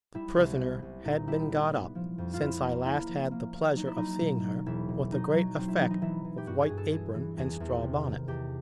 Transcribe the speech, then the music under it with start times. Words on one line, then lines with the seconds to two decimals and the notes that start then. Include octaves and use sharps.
The prisoner had been got up, since I last had the pleasure of seeing her, with a great effect of white apron and straw bonnet.
0.14 G3 E4
0.37 C2
0.60 B3
0.82 C2
1.05 A#2 D#4
1.27 G3 E4
1.50 B3
1.73 B3
1.95 F3
2.18 F2
2.34 F4
2.40 F2 E4
2.63 A#3
2.85 A#3 E4
3.08 F3
3.31 A#3
3.54 A#3
3.76 F#3 D#4
3.87 E4
3.98 F#3 D#4
4.21 B2
4.44 F#3
4.66 E1 E4
4.89 B2
5.11 F#3 D#4
5.34 F#3
5.57 C4
5.68 E4
5.79 E3 D#4
5.91 D#4
6.02 E3 E4
6.25 E3
6.38 G4
6.47 G2 F#4
6.62 G#4
6.70 G2
6.78 A4
6.92 E3 G#4
7.15 E3
7.37 E2 G#4
7.60 E2
7.82 C3
8.05 D#3
8.27 E2 G4